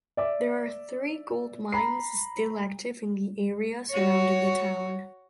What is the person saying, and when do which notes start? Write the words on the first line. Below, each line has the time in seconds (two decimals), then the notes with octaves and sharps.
There are three gold mines still active in the area surrounding the town.
0.17 D5 E5 D6
1.72 A#5 B5 C7
3.91 F#4 C#5